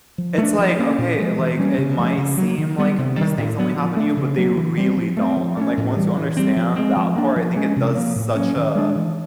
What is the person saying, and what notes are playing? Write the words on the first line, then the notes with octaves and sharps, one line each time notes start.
It's like, "Okay," like, "it might seem like these things only happen to you, but they really don't." And, like, once you understand that part, I think it does such a
F3
A3 D4
F3
A#3 C#4
A#2
F3 G#3
E3
G3 A#3 C#4
C#3
F3 A3 C#4
C#3
F#3 A#3
D#3
G3 B3
C3
D#3 G3
A2
F#3 B3
F3
A3 D4
C#3
F#3 A#3
E3
G3 C4
F3
A3 C4
F3
A3 C#4
A2
E3 G3
E3
G3 C4
F3
G#3 C4
F3
A#3 D4
F3
G#3 C#4
C3
F3 A#3
A2
F#3 A#3 C#4
D#3
G#3 B3 D4
E3